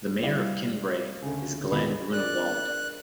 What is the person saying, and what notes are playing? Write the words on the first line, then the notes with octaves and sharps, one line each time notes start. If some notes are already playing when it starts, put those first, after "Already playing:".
The mayor of Kinbrae is Glen Grunewald.
G3 E4 D5 F5
D2 C#3
D#1 A#2 B3 B5
D4 G#4 A#4 D5 F#6